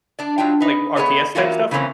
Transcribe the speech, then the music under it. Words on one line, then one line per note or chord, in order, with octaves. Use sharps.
like, RTS type stuff?
D4 D5
F#3 D4 D#4 F4 G5
D#4 B4
A3 B3 G#4 A#4 C#5 D#5
E3 F#3 A#3 C#4 F4 F#4
C#3 E3 A3 A#3 C4 C#4